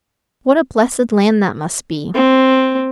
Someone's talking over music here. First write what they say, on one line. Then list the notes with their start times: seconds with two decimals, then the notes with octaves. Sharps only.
What a blessed land that must be!
2.14 C4